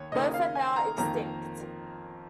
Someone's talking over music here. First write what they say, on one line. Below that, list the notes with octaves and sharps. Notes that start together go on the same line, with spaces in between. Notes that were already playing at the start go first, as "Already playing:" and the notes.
Both are now extinct.
Already playing: D#2 C#5
D#2 C#3 A#3 D#4 D#5
F5
G#5
A#5
F2 D#3 A#3 A#5